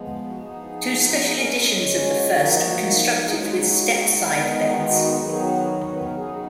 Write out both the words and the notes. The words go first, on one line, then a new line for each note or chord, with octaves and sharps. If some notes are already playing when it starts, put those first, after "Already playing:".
Two special editions of the first were constructed with step-side beds.
Already playing: F3 G#3 B3
F#4
F3 B3 D#4 G#4
F4
F#4
G#4
C#3 G#3 C#4 A#4
F#4
F3 A#3 D#4 F#4
C#3 G#3 D#4 G#4
F#4
F4
F#4
D#3 G#3 B3 D#4
F#4
F4
F#4
D#3 F#3 B3 D#4 F#4
G#4
F#4
C#5
B4
A#4
C#3 F#3 B3 D#4 G#4